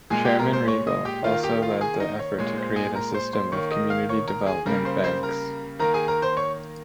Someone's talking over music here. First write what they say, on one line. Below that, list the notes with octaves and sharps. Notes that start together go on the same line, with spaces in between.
Chairman Riegle also led the effort to create a system of community development banks.
A#2 G#3 G#4 G#5
G4 G5
A#4 A#5
C5 C6
C#5 C#6
D#5 D#6
G4 G5
D#3 A#3 F4 F5
G4 G5
F4 F5
G#4 G#5
D#4 D#5
C#5
A#2 G#3 C#5
C5
G#4 G#5
A#4 A#5
C5 C6
C5 C6
D#3 A#3 C#5 C#6
D#5 D#6
F5 F6
C#5 C#6
A#4 A#5
G#4 G#5
C#3 G3 A#3 A#4 A#5
C5 C6
C5 C6
A#4 A#5
D#3 A#3 A#4 A#5
G#4 G#5
A#4 A#5
C5 C6
C#5 C#6